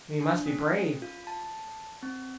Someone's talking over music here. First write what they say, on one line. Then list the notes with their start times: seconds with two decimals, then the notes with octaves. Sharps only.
We must be brave.
0.21 D4
0.46 C#4
1.02 F4
1.27 A5
2.03 C4